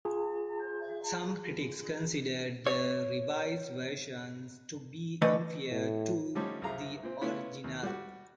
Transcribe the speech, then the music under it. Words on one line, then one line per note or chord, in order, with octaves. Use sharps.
Some critics considered the revised version to be inferior to the original.
F4 G#4
C#5
D3 E3 A3 B4 D#5
A2
D3 F3 G3 A3 C#4 D#4
C2 F#2 G#4 F5 A#5
A#2 C4
A3 B3 C#4 E4 F4
D#2
G3 F#4